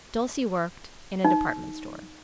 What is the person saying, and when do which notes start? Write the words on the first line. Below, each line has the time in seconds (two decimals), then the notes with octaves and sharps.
Dulcie worked in a department store.
1.25 D#4